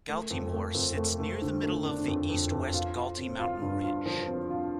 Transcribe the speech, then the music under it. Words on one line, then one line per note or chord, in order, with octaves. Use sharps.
Galtymore sits near the middle of the east-west Galty mountain ridge.
A3
F2
A3
F2
A3
A3
D3
A3
D4
F2
F2
F2
F4
F4
C4
F4
G2
F4
F3
C4
F4